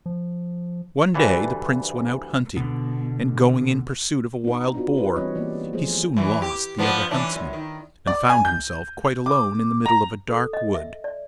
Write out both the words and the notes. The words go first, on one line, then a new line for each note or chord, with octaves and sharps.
One day the Prince went out hunting, and going in pursuit of a wild boar he soon lost the other huntsmen, and found himself quite alone in the middle of a dark wood.
F3
D2 G2 E3 A4
B2 D3
B3 D4 D#4
B3 D4 D#4 F4 F#4
D4 E4 B4
E3 G3 C4 C#4 C#5 D#5
E3 A#3 B3 G4 D5
F3 A3 B3 G#4 C5
E2 E3
G4
F3 B3 D4
E3 C#4 D4
F#2
D#3
D5
G#5
G6
D6
A#5
A4
D#5
E5
D5